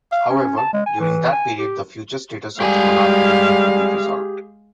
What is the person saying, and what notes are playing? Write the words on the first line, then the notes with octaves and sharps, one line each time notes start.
However, during that period the future status of the monarchy remained to be resolved.
F5
C#4
A5
G#3
G#5
E3
G#5
G4
G3 G#3 G4 G#4 F5 G#5